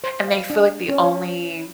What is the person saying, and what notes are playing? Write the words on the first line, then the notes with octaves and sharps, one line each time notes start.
and they feel like the only
C5
F5
D4
C#4
C#5